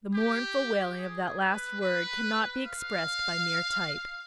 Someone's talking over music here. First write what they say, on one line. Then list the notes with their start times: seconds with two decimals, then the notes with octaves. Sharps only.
The mournful wailing of that last word cannot be expressed by mere type.
0.14 G4
0.98 G#4
1.40 B4
1.81 B4
2.66 F5